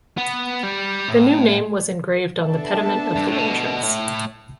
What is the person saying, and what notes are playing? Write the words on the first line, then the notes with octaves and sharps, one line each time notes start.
The new name was engraved on the pediment of the entrance.
B3
G3
A2
B3 D4 A4 E5 A5
G2
A2
B2
A2